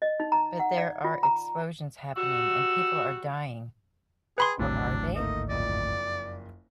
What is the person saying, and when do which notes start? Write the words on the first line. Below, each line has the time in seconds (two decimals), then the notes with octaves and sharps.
But there are explosions happening and people are dying - or are they?
0.02 D#5
0.20 D#4
0.32 A#5
0.59 F#5
0.78 D5
1.04 F4
1.23 A#5
2.17 G3 F#4 E6
4.38 G#4 B4 G5 B5 C6
4.59 G#1 D2 A2 C3 F#3 D4
5.15 A3 A#3 D#4 D#5
5.49 F#1 F2 D5 D#5